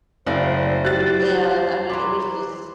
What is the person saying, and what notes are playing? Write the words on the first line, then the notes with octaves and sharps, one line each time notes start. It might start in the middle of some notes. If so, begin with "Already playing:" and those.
and I mean, it was just
F#1 A3 C5 D5 F5
F#3 E4 G4 F#6 A6
E3 F#3 B5 C6 D6